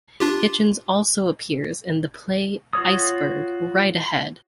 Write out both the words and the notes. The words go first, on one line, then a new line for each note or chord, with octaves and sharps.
Hichens also appears in the play Iceberg - Right Ahead!
D4 F4 G4
F4 F#4 C#5 D#6